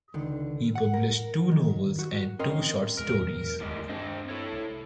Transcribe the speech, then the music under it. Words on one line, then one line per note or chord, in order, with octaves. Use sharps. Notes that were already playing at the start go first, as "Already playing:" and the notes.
He published two novels and two short stories.
C#2 D3 D#3
F#5
A#4
D#3
F#4
C4 C#4 A#4 D#5 G5 C6
E2 B2 G#3 A#4
G1 D#2 A2 G3 G#3
G2 C4 D4 C5 D#5
E4 A4 C#5
C2